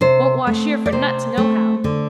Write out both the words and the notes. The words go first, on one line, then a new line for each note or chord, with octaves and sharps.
Won't wash here for nuts nohow.
C3 C5
A3 C4
D5
C3 C5
A3 C4
D3